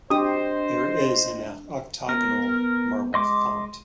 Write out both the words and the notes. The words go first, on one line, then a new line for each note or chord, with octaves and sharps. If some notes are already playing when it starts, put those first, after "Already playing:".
There is an octagonal marble font.
D4 G4 C5 D#5 D#6
B3 A#4
G#3 D#5 C6 D6